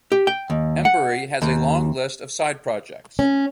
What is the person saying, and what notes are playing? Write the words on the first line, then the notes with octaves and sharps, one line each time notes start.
Embury has a long list of side projects.
G4
G5
D#2
F#5
D#2
C#4